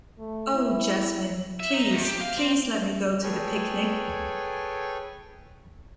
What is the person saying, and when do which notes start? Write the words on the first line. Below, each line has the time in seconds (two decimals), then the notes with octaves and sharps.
Oh, Jasmine, please, please, let me go to the picnic.
0.19 A3
0.54 E4
1.60 E5
1.74 D#4
1.91 E2
2.04 G4
2.21 F5
2.37 C4
3.23 G#4 A4 B4 C#5 G5 G#5